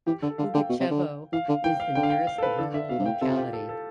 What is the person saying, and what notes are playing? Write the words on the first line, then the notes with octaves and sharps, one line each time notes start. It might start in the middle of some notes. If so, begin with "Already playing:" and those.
Pugachevo is the nearest rural locality.
E3 G4
D3 A4
D3 F5
D3 G5
B2
C3
D3
E3 F5
D3
E3 G5
F5
D3 G5
F5
G5
F5
A4
B4
E3 A4
D3 E5
B2 F5
G2
A2 G5
C3 A4
F4
G4
A4
A4